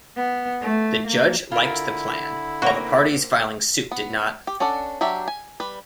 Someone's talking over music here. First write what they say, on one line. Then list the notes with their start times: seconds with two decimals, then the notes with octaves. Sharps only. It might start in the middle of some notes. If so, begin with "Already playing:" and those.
The judge liked the plan, while the parties filing suit did not.
0.16 B3
0.61 A3
1.07 A#3
1.52 D3 E4 F4 A#4
2.62 A#3 C4 F#4 A#5
3.91 B3
4.47 G4
4.60 C#4 D4 A4 D5 F#5
5.01 F#3 D4 G4 E5
5.28 G#5
5.60 G3 B4